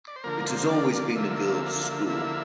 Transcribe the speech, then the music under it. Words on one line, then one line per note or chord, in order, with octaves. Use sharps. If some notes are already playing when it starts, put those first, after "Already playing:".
It has always been a girls' school.
D5
C5
D3 F3 A#3 A#4
C5
D5
D5
D3 F3 A#3 E5
D3 F3 A#3 E4